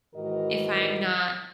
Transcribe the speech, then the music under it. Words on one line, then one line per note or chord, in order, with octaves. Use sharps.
if I'm not
G#2 D#3 E3 F#4 A#4 D#5